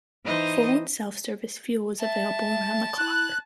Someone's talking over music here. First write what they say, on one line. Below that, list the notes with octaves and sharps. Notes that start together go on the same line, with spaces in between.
Full and self-service fuel is available around the clock.
E3 D#4 C5 D#5 D#6
E5 A5
E4 F#6